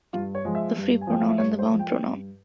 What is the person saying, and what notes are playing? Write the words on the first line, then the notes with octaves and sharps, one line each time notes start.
The free pronoun and the bound pronoun.
G2 F4
C#5
F3 G#3
E5
G2
G#5
F3 G#3 G5
F5
E5
G2 C#5
C5
F3 G#3
G5
G2